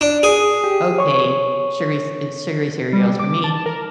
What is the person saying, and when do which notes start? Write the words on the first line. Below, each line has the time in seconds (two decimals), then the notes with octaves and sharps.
"Okay, sugary ce sugary cereal's for me."
0.01 D4
0.23 G#4
0.64 G4
0.98 C#5 C#6
2.93 G3
3.07 G3
3.19 D6
3.44 A5
3.66 A#4